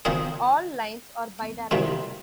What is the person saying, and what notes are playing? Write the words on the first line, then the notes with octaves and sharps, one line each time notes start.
All lines are bi-directional.
D#3 C4 F4 G#4 C5
C2 C3 D#3 G#3 F4